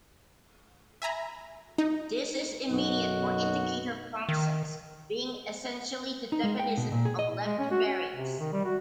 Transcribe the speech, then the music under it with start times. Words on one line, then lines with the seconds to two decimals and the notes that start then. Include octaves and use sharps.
This is immediate for indicator functions, being essentially the definition of left invariance.
1.02 E5 G#5 A#5 B5
1.78 D#4
2.70 B1 F#2 D#4 F#4
4.29 D#3
6.32 D#4
6.43 G#3
6.59 G5
6.77 B2
6.92 A#2
7.05 G#4
7.19 D#5
7.46 G#3
7.59 C#4
7.71 F#4
7.86 C#4
8.12 C3
8.40 D#3
8.53 G3
8.65 F#4